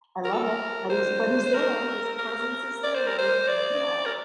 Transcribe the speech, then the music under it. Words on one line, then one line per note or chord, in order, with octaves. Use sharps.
I love it. But he's but he's there. His presence is there. I love it, yeah.
A#4
A4
A#4
C5
C5
A#4
A#4
D5
C5
A#4
C5
D5
A#4